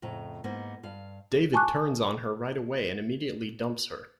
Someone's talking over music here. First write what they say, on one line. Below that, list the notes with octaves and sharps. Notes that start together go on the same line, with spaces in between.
David turns on her right away and immediately dumps her.
F2 A2 C#3 A#5
G#2 A#3 B3 D#4
G2 F5
G#5 A5 C#6 D6 F#6